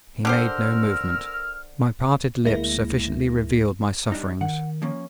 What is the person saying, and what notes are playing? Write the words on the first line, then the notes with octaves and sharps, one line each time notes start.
He made no movement. My parted lips sufficiently revealed my sufferings.
D3 G4 A#4 C5 E6 F6
D2 G#3 A#3 E4 A#6
G3 D4 D#4
D#3 F#5
F3 A#3 C#4